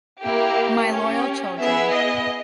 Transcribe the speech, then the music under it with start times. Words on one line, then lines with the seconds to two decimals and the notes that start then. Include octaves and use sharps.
My loyal children.
0.22 A#3 E4 G4
0.91 C#4 G4
1.59 B3 E4 G#4 E5
1.92 D#5